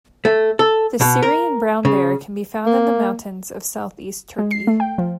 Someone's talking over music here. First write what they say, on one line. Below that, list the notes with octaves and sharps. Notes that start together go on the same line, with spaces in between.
The Syrian brown bear can be found in the mountains of Southeast Turkey.
A3
A4
B2
A#4
C#3
A#3
G#3
C7
A3
G5
F3